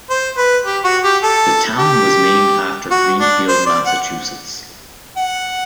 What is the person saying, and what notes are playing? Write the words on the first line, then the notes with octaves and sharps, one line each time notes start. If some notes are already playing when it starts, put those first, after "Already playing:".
The town was named after Greenfield, Massachusetts.
C5
B4
G4
F#4
G4
A4
G4
F#4
D4
C5
D5
F#5
F#5